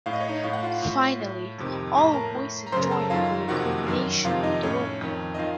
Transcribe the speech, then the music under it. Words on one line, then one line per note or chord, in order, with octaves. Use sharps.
Finally all voices join for the culmination of the work.
A2 F5
D#5
C#5
D#4 D#5
A2 F5
F#5
F4 F5
A2
A2
F2 C3 D#3
A2 A#5
A5
A#4 A#5
A2
A#5
F#2 C#3 C5 C6
A#4 A#5
A4 A5
F#2 D#3 F4 F5
F2 C3 D#3 F#4 F#5
F#2 D#3
F2 C3 D#3 F4 F5
D#4 D#5
A2 C#4 C#5
F2 D#3
D#5
D#3 F4 F5